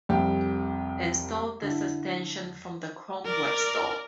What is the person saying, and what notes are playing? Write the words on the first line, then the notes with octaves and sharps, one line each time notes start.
Install this extension from the Chrome Web Store.
C2 F2 C3 G3 G4
D3 E4
A#4 D5